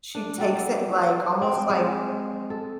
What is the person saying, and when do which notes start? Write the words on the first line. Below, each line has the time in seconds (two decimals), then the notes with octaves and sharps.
She takes it, like, almost like
0.15 D4
0.38 F#3 G3 A4
1.42 C4
1.70 G#3
2.50 A4